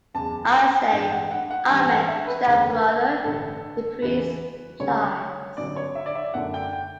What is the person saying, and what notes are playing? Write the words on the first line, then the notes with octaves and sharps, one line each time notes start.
"I say, 'Amen' to that, brother," the priest replies.
F#1 E2 C#3 A5
G5
A1 G2 E3 G5
F#5
F#5
F#5
A1 G2 E3 G3 D4 A5
F#5
E5
B4
F#1 E2 D3 A3 C#4 B4
A1 G2 D3 A4
E2 C#3 E3 B4
D2 C#3 G3 C#5
G1 G2 F#3 C#4 D5
C#5
E5
D5
E5
F#2 D3 A3 D4 F#5
G5
G5